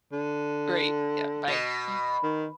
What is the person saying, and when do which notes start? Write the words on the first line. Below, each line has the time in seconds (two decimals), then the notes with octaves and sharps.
Great. Yeah, bye. Mm
0.12 D3
1.48 B2
2.23 D#3